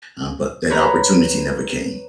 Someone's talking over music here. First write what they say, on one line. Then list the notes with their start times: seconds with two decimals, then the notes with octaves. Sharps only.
uh, but that opportunity never came.
0.70 B4 C#5 A#5